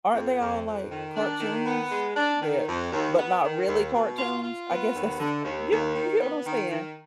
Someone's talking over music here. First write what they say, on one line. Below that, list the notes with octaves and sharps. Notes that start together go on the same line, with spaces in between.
aren't they all, like, cartoons that but, not really cartoons? I guess that's what you you get what I'm saying?
F2
F2
F2
D#3
D4
D#3
B3
G#3
D4
D#3
F2
D#2
B3
D#3
D#2
B2
F4
F4
B3
D#2
D3
D#2
D#2
D#3
B3
D#3
D#3